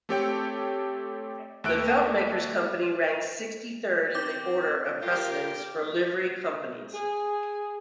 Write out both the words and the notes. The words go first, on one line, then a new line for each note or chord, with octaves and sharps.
The Feltmakers' Company ranks sixty-third in the order of precedence for Livery Companies.
A3 C4 G4 A4 C#5 G5
D#2 A3 A4 E5 F#6 D7
C4 D6 G6
F4 G4 A#4
G#4